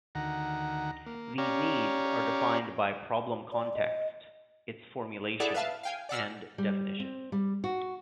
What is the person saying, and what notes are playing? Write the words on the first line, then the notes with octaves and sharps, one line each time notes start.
These needs are defined by problem context, its formulation and definition.
D2 D#3 F#5 A#5
A#3
C#4 G4 C#5 D5 F5 A#5
D5
D#5
E4 G#4 A4 D5 F#5
B4 E5 F5 A5
F5 G5 G#5
D5 F#5 E6 F6
G3
C4
G3
F#4